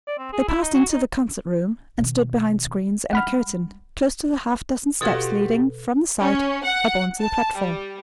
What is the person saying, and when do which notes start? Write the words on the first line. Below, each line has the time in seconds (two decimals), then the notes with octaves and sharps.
They passed into the concert-room and stood behind screens and a curtain, close to the half-dozen steps leading, from the side, up on to the platform.
0.07 D5
0.19 C4
0.33 G#4
0.48 E4
0.62 D#4
0.74 F#4
0.91 D#4
1.99 B2 D#3
3.13 G3 G#3 F#5 B5 F6
5.01 B2 G3 F4 F#4 A4 G#6
6.19 C#4
6.63 F#5
7.19 A5
7.55 G3